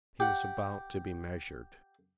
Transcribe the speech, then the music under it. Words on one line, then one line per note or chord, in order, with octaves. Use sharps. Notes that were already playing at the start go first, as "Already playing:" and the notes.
He was about to be measured.
G4 F#5